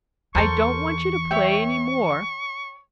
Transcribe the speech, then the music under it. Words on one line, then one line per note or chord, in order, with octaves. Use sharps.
I don't want you to play any more.
E2 E3 A4 A#4 C5 C#6
C#5 E5 G5